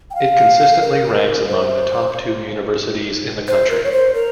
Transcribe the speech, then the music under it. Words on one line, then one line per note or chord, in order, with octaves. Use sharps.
It consistently ranks among the top two universities in the country.
G5
F5
A#4
C5
C5
A#4
C#5
C5
A#4